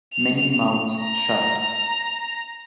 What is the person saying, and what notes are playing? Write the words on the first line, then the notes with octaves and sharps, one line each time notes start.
Many Mouths Shut!
F7
A#5